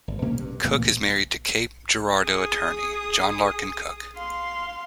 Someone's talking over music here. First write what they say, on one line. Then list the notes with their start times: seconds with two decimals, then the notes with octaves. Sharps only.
Cook is married to Cape Girardeau attorney John Larkin Cook.
0.08 G#1
0.22 B2 A#3 C#4
0.38 G2
0.64 C2 A#2 E3 A3
2.23 G#4 D#6
4.16 F5 C6